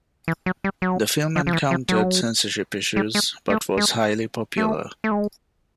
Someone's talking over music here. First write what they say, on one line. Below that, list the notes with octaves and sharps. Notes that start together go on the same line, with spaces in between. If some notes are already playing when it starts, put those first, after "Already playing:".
The film encountered censorship issues but was highly popular.
E3
F#3
G3
F#3
F3
F3
E3
F3
F#3
G3
G#3
A3
G#3
A3
A3
G#3